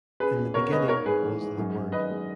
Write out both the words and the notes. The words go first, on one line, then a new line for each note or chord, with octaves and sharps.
In the beginning was the Word.
C#4 G#4 B4
E2
B2 A#4 C#5
G#3 B4 D#5
D#4 A#4 C#5
G#2 G#4 B4
E3
G#3
F#2
F#2
D#3 B4 D#5
G#3